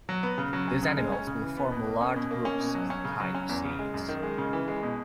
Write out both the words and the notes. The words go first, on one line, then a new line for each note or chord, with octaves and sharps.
These animals will form large groups as the tide recedes.
F#3
B3
C#3
F#3
C#4
C#3
G#3
C#4
C#3
E3
B3
B2
A#3
C#4
B2
A#3
C#4
B2
F#3
C#4
C#3
F#3
C#4
E2
C#3
G#3
F#2
D#3
G#3
C#3
E3
G#3
B2